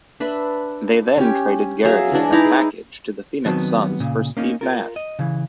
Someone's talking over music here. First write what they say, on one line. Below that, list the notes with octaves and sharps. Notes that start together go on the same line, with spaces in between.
They then traded Garrity in a package to the Phoenix Suns for Steve Nash.
D4 B4 E5
C#4 G4
F#3 G#4 E5 F5
E3 G#3 D4
D#4 E4 D5 A#5
G#4
D#3 F#3 B3 C4 F#4 A5
A#2 C#3
A#3 C#4 D#4
F4 A#4
D#5
C#3 E3